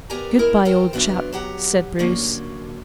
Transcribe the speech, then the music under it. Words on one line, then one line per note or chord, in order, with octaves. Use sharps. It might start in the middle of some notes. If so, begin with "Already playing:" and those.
"Good-bye, old chap," said Bruce.
B3 G4 A#4 D5 G#5 A#5
G#3 E4 A#4
F4 A4 A#4 C5 G5
E3 F#3 B3 C4 D4 F4
F#3 G4 F#5 A#5
A2 D3 F#3 A#3 C#4 D4